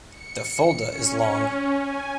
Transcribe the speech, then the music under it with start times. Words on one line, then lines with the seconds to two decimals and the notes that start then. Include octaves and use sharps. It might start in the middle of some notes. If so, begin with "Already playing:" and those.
The Fulda is long.
0.10 C#7
0.90 C#4
1.76 G#5